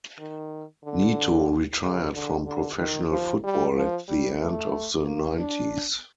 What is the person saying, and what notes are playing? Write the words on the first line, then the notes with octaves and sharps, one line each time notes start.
Neto retired from professional football at the end of the nineties.
D#3
D3
C#3
D3
D3
D#3
F3
G3
F3
G3
A3
A#3
D4